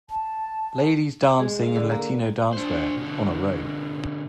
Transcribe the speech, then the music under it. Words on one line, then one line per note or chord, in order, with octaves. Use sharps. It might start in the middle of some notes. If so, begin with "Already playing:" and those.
Ladies dancing in Latino dancewear, on a road.
A5
G#3
F5
D3
A#3
D4 C5
B2 D3